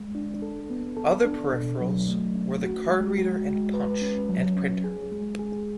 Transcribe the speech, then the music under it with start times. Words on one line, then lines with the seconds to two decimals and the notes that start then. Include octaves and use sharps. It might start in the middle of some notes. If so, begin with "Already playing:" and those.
Other Peripherals were the card reader and punch, and printer.
Already playing: G#3
0.15 D4
0.42 A4
0.70 B3
0.97 A4
1.25 D4
1.53 B2
1.81 F#3
2.08 A3
2.35 C#4
2.63 F#4
2.90 G#3
3.18 F#4
3.45 G#3
3.74 B4
4.02 C#4
4.29 F#3
4.57 C#4
4.84 G#4
5.11 G#3
5.39 G#4